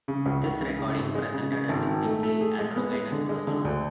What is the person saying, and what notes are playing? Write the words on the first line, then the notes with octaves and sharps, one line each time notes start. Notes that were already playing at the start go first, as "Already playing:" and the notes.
This recording presented a distinctly androgynous persona.
C#3
C#2
C#2
C#3
C#3
G#2
G#3
C#3
C#3
G#1
G#1
A3
A3
G#4
G#3
B3
G#3
D3
G#3
D3
D2